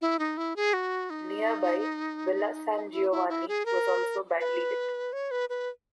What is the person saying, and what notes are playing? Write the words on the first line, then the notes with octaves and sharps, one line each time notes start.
Nearby Villa San Giovanni was also badly hit.
E4
D#4
E4
G#4
F#4
D#4
E4
E4
E4
G#4
A#4
B4
C#5
B4
B4